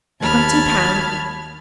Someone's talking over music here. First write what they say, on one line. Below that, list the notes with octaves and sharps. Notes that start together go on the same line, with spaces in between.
Twenty pounds!
D#2 A5 B5 F6 G#6